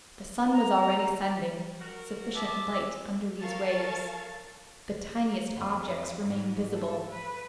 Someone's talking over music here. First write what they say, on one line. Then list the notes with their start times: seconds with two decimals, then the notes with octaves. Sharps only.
The sun was already sending sufficient light under these waves. The tiniest objects remained visible.
0.52 A#5
1.81 F#4 A#4
2.35 C3 D#5 E5 A5 D6
3.41 A4 A#4 F5 A5 C#6 A6
5.55 F2
6.22 G#2
6.74 A4
7.10 B4